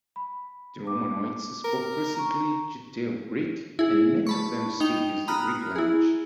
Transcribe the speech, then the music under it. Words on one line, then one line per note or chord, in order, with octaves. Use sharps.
The Romaniotes spoke recently Judaeo-Greek and many of them still use the Greek language.
B5
D6
A#4
A#5 C#6
E4 G#4
A5 B5 C#6
D#4 G5 F7
A#5 B5 D#6 F6 F#6
E4 G#4